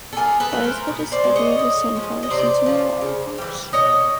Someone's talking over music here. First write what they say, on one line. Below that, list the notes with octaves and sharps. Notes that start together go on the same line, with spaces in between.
That is the discovery of the sunflower seeds and the lollypops.
A4
A#2 G#4 A#4
A4 B4
F#3 A3
A#4 C5
B2
C5 D5
G#3
C#5 D#5
D3
F3 G#3
D#5
C3 C5 D5
F3 A3
C#3
E3 G3
B2 C#5 D#5